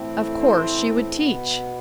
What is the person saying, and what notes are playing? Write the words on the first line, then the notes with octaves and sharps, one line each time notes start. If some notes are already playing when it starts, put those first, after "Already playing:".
Of course she would teach!
Already playing: A2 E3 A3 C4
C5
B2 B3